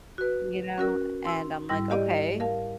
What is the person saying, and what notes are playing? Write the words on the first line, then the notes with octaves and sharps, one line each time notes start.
You know, and I'm like, "Okay,
F#4 B4
C#4 F#4 A#4
C6 E6
G#2 G3 E4 A#6
G4 D5 D#5
A#4 F5 A5